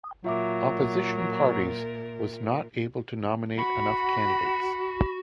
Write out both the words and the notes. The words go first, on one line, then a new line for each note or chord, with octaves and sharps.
Opposition parties was not able to nominate enough candidates.
A#2 F#3 F4 A#4 E5 D6
F#4 B5